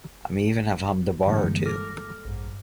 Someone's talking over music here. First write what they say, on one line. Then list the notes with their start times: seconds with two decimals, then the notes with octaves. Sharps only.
I may even have hummed a bar or two.
1.26 G2 D3 E3 G3 G#3 A#3
1.66 A4 D6 F6 A#6
2.25 A1 G2